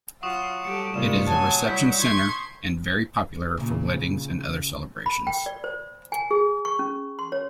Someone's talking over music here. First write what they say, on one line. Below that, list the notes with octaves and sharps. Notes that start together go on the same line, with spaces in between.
It is a reception centre and very popular for weddings and other celebrations.
F#3 F4 F#5 C#6 D#6 E7
G3 G4 A4 C#7
A2 C3 D#3 G3 F4 E7
F#3 G#5 A5
G3 E4 G6 B6
C6 C#6 G#6
A#2 C#3
B5
G5
D5
C5
G#5
G#4
C#6
C#4
C6
C#5